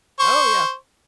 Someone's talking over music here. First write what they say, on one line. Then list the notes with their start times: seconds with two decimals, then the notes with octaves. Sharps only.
Oh, yeah.
0.19 C5 C#6